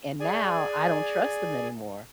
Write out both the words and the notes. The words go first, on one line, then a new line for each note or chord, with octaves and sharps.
and now I don't trust them anymore."
G#4 D5 G#5